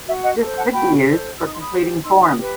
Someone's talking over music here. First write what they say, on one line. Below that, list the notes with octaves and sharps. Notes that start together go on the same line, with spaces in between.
This could be used for completing forms.
F#4 E5
D#5 F#5
A4
C5
F#5 A5
F#4 G5 B5
A4 C5
D#4 E6
D#6
C6
B5 D#6
G4 C5
D#4 C6 E6
B5 D#6
G4 B4